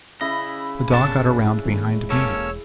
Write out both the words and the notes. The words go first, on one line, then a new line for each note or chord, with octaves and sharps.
The dog got around behind me.
C#3 E4 D#5 B5
F#1 A#2 B3 C#4 D4 A5
D#3 A3 B3
E1 G#3
A#3 C#4 A4 C#5 E6